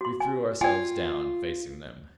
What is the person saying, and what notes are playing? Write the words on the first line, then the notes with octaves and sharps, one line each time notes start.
We threw ourselves down, facing them.
F#4 C6
G#5
F4 D5 G5 G#5